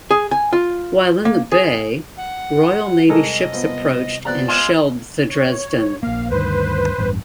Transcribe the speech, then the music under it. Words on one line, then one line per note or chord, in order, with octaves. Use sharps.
While in the bay, Royal Navy ships approached and shelled the "Dresden".
G#4
G#5
F4
A#3
G#4
F#5
C2 G#3 A4 A#4 D#5
F3 B3
C3 F3 B3 D5 A#5 F#6
G#3 F4
C#5
A#1 A#3 F5
D2 G2 D#3 B4 C5
A1 E2 G2